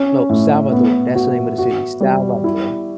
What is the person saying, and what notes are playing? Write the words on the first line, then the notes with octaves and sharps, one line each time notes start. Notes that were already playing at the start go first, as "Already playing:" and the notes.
No, Salvador. That's the name of the city, Salvador.
Already playing: C#4
A2
B3
F#4
F#4
G3
E4